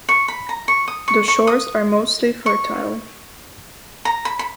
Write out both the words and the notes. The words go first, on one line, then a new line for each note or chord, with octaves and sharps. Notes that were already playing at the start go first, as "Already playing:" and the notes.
The shores are mostly fertile.
C#6
B5
A#5
C#6
D#6
C#6
C#6
D#6
C#6
A#5
B5
B5